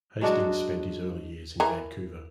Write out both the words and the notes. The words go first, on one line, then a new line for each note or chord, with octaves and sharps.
Hastings spent his early years in Vancouver.
F#3 G#3 D4 F#4
E3 A#4